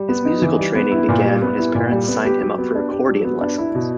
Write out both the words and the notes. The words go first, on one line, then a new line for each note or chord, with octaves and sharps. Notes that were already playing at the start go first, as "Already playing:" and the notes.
His musical training began when his parents signed him up for accordion lessons.
Already playing: G3
B3
D#4
E3
G3
B3
E4
A#2
G3
B3
E4
A#2
G3
B3
G4
F#3
B3
D4
G4
F#3
B3
D4
E4
B2